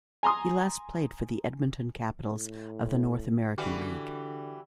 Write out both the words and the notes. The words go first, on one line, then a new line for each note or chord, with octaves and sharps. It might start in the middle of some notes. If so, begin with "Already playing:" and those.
He last played for the Edmonton Capitals of the North American League.
G#5 A#5 C6 D#6
A2
D3 E3 G3 F#4